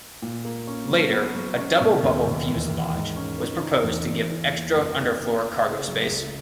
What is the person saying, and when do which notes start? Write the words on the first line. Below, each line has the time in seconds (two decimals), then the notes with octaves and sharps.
Later a double-bubble fuselage was proposed to give extra underfloor cargo space.
0.22 A#2
0.45 A#3
0.67 C#4
0.90 F#3
1.13 B3
1.35 F#3
1.58 C#4
1.81 B2
2.03 D#2
2.26 D#2
2.48 E2
2.71 E2
2.94 G#2
3.16 C#4
3.40 D#4
3.61 D#4
3.84 E2
4.07 E2
4.30 E3
4.52 A#3
4.75 F#2
4.97 D#4
5.20 A#3
5.43 A#3
5.65 C#3
5.88 F#3
6.11 C#2